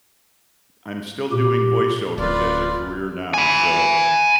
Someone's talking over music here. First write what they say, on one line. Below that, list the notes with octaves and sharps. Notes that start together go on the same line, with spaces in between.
I'm still doing voiceovers as a career now. So,
A#2 G4
D1 F4 B4 D5
G#5 B5